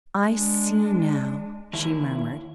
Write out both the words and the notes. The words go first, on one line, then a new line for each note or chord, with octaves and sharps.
"I see now," she murmured.
G#3 D4
D#2 E4